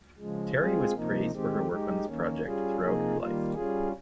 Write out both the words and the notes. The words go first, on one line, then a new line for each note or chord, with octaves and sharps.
Terry was praised for her work on this project throughout her life.
C#3 F3 G#3
G#3 C4 F4 G#4
C3 F3 A#3 D#4
D#3 G#3 C4 G4
G#3 D#4 G4
D#3 A#3 C#4
G3 C#4 F4 G#4
C3 F3 A#3 D#4 G#4
D#3 G3 A#3 F4
G3 C#4 F4 G#4